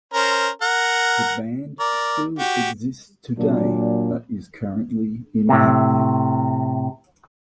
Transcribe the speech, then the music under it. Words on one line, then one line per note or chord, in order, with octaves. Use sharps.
The band still exists today, but is currently inactive.
C#4 A#4 C5
A#4 F#5
A#4 D5
F#4 G4
A#2 F#3 A#3 D4
A2 C3